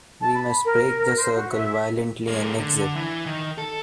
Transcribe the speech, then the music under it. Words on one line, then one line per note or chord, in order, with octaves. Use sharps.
We must break the circle violently and exit.
A5
B5
A#4
C5
F#4
E5
G#3 A#3
D3
E3
D#3
A4